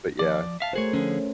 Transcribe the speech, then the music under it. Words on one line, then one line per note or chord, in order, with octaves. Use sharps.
but yeah.
F3 D5
E5 F5 A5
A3 F#4 G#4 A#4 C5 C#5
D3 F3 C#4 G#4